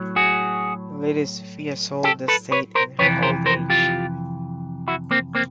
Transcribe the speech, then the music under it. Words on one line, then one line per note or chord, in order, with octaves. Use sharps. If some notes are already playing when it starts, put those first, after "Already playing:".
Lady Sophia sold the estate in her old age.
Already playing: A2 F#3
F#4 G#4
G4 A4
A4 B4
B4 C#5
A#4 C5
F2 C3 E3 B4 C#5
A#4 C5
A#4 C5
F4 G4
E4 F#4
A#3 C4
A#3 C4